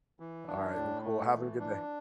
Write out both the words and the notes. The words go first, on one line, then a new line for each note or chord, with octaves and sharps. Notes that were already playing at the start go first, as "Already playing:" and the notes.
All right, well, cool. Have a good day.
E3
D4
A2
A3
E3
D4